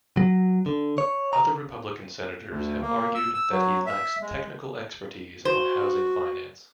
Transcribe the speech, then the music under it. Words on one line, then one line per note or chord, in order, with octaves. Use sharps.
Other Republican senators have argued that he lacks technical expertise on housing finance.
F#3
D3
C#5
A#5
D2
A#3
E6
E6
F#3
E5
G#3
F#4 C5